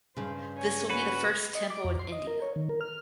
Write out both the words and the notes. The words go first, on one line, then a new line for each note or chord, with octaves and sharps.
This will be the first temple in India.
G2 C#3 C5
C#5 G#5
F#4 B4
D#5
D6
F2
C6
D#5
A#4
C#5
D#3
A#4
F6